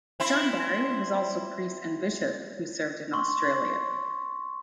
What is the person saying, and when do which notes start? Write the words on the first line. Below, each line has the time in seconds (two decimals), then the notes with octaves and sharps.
John Barry was also priest and bishop who served in Australia.
0.20 C4 E4
3.13 C6 C#6